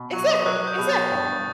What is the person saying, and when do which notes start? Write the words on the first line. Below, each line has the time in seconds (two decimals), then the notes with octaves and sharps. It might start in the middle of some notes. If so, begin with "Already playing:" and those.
Exactly, exactly.
Already playing: B2
0.13 F#3 C#6
0.30 D#6
0.46 F#3 F#6
0.67 G6
0.78 B2
0.89 A6
1.11 G2